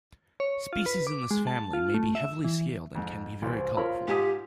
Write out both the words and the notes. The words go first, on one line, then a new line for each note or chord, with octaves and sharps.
Species in this family may be heavily scaled and can be very colourful.
C#5
F4
B4
D6
G#3
A5
F4
A3
E5
E3
F2 G#2
C2 E3 A#3 C5
F4 A#4 C#5 B5
G#2 G4 G#5 D#6